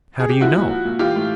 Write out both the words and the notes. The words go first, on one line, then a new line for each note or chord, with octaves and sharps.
"How do you know?"
G#4
G4
F3 E4 F#4
A#2
F3
A#2
E3 F4 G4
A2